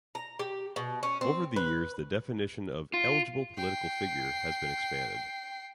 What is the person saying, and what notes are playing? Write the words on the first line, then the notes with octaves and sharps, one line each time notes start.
Over the years the definition of "eligible political figure" has been expanded.
A#5
G4
B2
C#4
C4
B4
F4
G5 C7